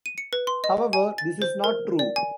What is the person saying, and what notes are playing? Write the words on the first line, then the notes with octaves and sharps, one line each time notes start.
However, this is not true.
D#7
C#7
B4
C6
D#5
G#5
A6
C5
A#4
D5
G#5